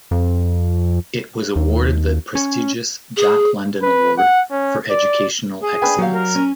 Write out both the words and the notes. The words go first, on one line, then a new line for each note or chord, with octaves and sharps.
It was awarded the prestigious Jack London Award for Educational Excellence.
F2
D#2
C#4
G#4
B4
F#5
C#4
D5
G#4
B3 D4 B4 G5 G#5 B5
F#3 F#4 G4 F5
A#4
C#4